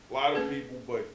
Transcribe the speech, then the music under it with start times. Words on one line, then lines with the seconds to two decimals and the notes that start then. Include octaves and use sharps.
lotta people but
0.35 A3 C#4 G#4 B4